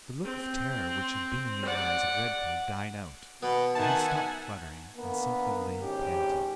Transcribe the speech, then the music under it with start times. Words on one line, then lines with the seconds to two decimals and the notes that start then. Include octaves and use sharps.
The look of terror which had been in the eyes of Redcoat died out, and he stopped fluttering and simply lay panting.
0.24 C4
1.66 D5 F#5
3.43 B2 B3
3.75 D#3 E5 F#5 G#5 A5
4.96 D3 A#3 B3
5.81 G#1 C#4 G4